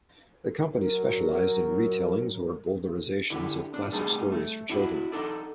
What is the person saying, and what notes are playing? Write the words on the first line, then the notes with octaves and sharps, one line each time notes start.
The company specialized in retellings or bowdlerizations of classic stories for children.
F#3 A#4
D3 E4 G4
D4
C2 G3 A3 D#4 G#4 A5
A3
D4 E4 F#4
D#4 A4 D5